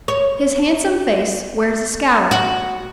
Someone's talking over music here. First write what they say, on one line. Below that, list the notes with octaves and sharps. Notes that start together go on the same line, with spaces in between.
His handsome face wears a "scowl."
C#5
F#4